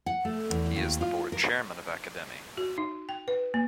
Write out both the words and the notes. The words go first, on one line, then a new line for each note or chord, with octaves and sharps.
He is the board chairman of Academi.
F#5
A3
E2
D#2
F4
A#4
F#4
D#4
G5
B4
A#3